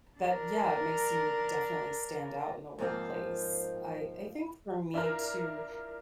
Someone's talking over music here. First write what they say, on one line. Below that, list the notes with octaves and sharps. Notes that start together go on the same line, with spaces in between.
that yeah, it makes you definitely stand out in the workplace. I I think for me too,
D4 A#4
G#2 F3 A#3 C4 F4
D4 E4 F4 A#4